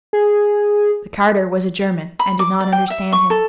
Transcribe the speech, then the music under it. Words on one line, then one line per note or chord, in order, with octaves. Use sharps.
The carter was a German and did not understand him.
G#4
B5
D6
D5
G5
E5
C#6
A4